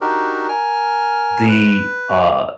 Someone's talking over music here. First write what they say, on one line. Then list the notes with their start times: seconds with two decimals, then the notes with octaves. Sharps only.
the, uh,
0.01 D4 D#4 F#4 G4 A#4
0.48 A#4 G#5 F6
1.48 B4